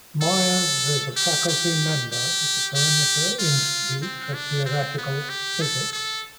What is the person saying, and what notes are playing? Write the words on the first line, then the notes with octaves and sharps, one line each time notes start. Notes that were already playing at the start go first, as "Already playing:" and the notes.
Myers is faculty member at the Perimeter Institute for Theoretical Physics.
A4
G4
G4
G4
G4
F4
C4
D4
C4
B3
G4
A4
A4